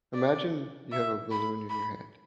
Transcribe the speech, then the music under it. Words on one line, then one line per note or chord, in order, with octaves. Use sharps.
imagine you have a balloon in your hand,
D5
E5
B5
B5